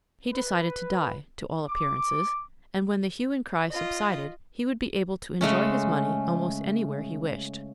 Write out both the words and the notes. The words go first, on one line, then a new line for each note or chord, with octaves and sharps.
He decided to die, to all appearances, and when the hue and cry subsided, he would be able to enjoy his money almost anywhere he wished.
B4
D6
F4 D#5
C#3 G#3 A3 C#4